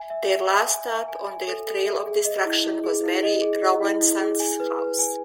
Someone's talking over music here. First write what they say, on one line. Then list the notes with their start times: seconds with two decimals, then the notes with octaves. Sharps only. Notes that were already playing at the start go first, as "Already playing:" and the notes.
Their last stop on their trail of destruction was Mary Rowlandson's house.
Already playing: E5 G#5
0.10 E5
0.31 E5
0.49 E5
0.69 G#5
0.88 E5
1.08 G#5
1.28 G#5
1.48 A4
1.67 A4
1.86 E5
2.06 G#4
2.25 D#5
2.45 E4
2.64 E4
2.84 G#4
3.04 E4
3.23 D#5
3.42 G#4
3.62 D#5
3.81 E4
4.01 E4
4.21 G#4
4.40 G#5
4.60 B4
4.79 B4
4.99 G#5